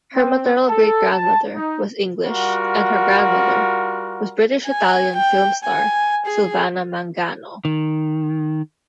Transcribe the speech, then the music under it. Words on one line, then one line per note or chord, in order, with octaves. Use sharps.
Her maternal great-grandmother was English and her grandmother was British-Italian film star Silvana Mangano.
C4
A4
A5
D#4
G3 F4 F#4 A#4 F#5
G#5
G5
G#5
G#4
D#3